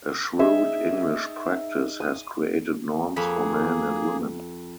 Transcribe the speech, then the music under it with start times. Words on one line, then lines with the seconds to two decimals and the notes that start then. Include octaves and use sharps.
A shrewd English practice has created norms for men and women.
0.39 D#4 G#4 D#5 E5
2.00 D#6
3.16 F2 A#3 G#4 B5